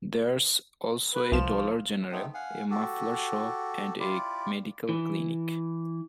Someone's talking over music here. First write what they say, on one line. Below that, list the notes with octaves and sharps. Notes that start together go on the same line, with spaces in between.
There's also a Dollar General, a muffler shop and a medical clinic.
B4
C2 F3 E7
A3 B3 C4 D#4
F5 F#5 G#5
F#4 G4 A4
E4 F4 G4 D5
E3